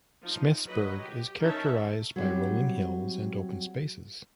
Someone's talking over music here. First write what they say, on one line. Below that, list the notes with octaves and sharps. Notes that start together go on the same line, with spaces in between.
Smithsburg is characterized by rolling hills and open space.
F3 D#4
F#3 B4 D#5
G4
D#3 C#4 D#4 A#4 E5 A5
F#3 G3 C4 E4 G4